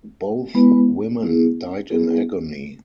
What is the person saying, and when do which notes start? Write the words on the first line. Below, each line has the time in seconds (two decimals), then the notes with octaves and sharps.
Both women died in agony.
0.54 G#3 B3 E4 B4
1.22 B3 E4 G#4
1.90 B3 E4 G#4